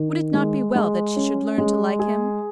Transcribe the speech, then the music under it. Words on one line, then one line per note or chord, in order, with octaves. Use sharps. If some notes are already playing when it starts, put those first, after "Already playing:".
Would it not be well that she should learn to like him?
Already playing: D#3
G#3
G#3
C#4
G#3
G#4